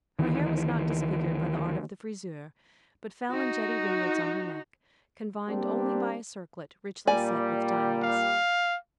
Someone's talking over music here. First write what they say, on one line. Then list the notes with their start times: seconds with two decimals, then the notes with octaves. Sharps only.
Her hair was not disfigured by the art of the friseur, but fell in jetty ringlets on her neck, confined only by a circlet, richly set with diamonds.
0.19 D2 D#3 E3
3.31 D#4 F#4
5.48 G3 A#3 C4 D4 G4
7.07 A#2 G3 D5 G#5
8.02 F5